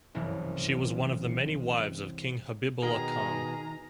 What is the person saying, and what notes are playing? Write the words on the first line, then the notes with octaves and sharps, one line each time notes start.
She was one of the many wives of king Habibullah Khan.
F#1 C2 G2 E3
B2 D#3 G#4 A#5